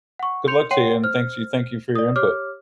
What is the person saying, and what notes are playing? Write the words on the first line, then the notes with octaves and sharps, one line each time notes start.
good luck to you, and thanks you thank you for your input.
F#5 C#6
C6 G6 C#7 F7
C#5 F#5 G5 C6 C7 D#7
C5 F6
D5 D#6
G4 C#5 D6 F6